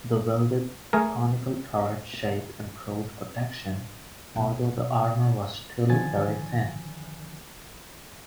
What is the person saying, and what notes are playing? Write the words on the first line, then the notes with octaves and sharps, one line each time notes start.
The welded, conical turret shape improved protection, although the armor was still very thin.
A3 G#4 A#4
B2
D3 D#3 F3 G#5 A6